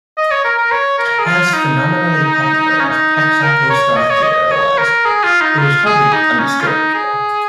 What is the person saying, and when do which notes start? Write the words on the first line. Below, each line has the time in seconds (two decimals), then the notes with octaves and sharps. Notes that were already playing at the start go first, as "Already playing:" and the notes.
As phenomenally popular as "Texaco Star Theater" was, it was hardly an undisturbed appeal.
0.18 D#5
0.31 C#5
0.45 A#4
0.58 A#4
0.72 C#5
0.99 A#4
1.19 G#4
1.26 F4
1.53 D#4
2.80 C#4
2.89 D#4
3.16 D#4
3.43 A#4
3.70 C#5
3.96 D#5
4.10 C#5
4.23 D#5
4.51 C#5
4.78 A#4
5.05 G#4
5.24 F4
5.41 D#4
5.58 F4
5.86 G#4
6.13 D#4
6.40 C#4
6.61 F4
6.67 D#4
6.95 G#4